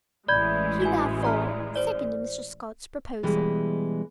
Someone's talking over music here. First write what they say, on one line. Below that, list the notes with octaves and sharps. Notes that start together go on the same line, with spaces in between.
He therefore seconded Mr. Scott's proposal.'
A1 E3 G#3 D5 B5 G6 G#6
F#4 G#5
D5 A#5 F6
C5 D5
B2 E3 G3 G#3